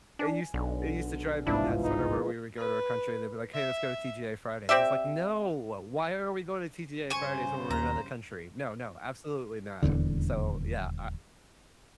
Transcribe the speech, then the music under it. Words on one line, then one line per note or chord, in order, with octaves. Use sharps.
It used it used to drive me nuts whenever we would go to our country, they'd be like, "Hey. Let's go to TGI Fridays." It's like, "No. Why are we going to TGI Fridays when we're in another country? No, no. Absolutely not." So, yeah, I
D4 G#5
B1 D3
G1 C2 G#2 B2 E3 F3 D4 E4
G#3 D#4 B4
B4
E5
C4 G4 D5 E5
G2 C#3 C5 G#5 C#6
D#2 A#5
D#1 B1 E2 D3